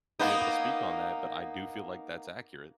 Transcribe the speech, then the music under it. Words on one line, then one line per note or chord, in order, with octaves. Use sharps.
be able to speak on that, but I do feel, like, that's accurate.
A#3 B3 D#4